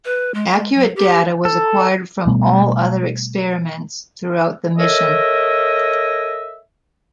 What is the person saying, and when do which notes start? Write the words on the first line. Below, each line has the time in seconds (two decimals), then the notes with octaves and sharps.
Accurate data was acquired from all other experiments throughout the mission.
0.05 B4
0.34 G#3
0.51 G#3
0.75 F#3
0.96 G4
1.45 A4
2.27 B2 G3 A3 B3
4.77 A4 A#4 C#5 D#5 E5